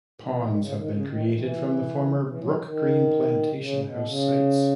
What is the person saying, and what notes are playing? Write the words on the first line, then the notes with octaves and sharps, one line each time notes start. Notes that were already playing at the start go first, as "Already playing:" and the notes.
Ponds have been created from the former 'Brookgreen' plantation house sites.
D#3
E3
D#3
B2
C#3
D#3
C#3
D#3
E3
D#3
E3
E3
F#3
D#3
C#3
B2
C#3